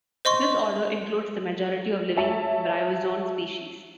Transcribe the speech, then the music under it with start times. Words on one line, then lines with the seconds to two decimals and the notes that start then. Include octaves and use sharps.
This order includes the majority of living bryozoan species.
0.25 C5 D#5 C6 C#6
2.17 C#5 E5 A5